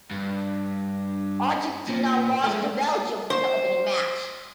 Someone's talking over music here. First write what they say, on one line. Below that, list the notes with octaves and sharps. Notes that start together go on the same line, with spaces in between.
Argentina lost to Belgium in the opening match.
G2
A#2
G#3 A3
C5